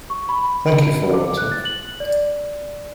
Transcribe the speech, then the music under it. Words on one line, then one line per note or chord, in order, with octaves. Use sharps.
Thank you for waiting.
C#6
B5
D6
F#6
A6
F#7
D5